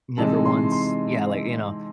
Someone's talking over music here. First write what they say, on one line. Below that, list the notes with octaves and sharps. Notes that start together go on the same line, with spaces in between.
Never once Yeah, like, you know,
C3 E3 G#3 D#4 A5
C6
C6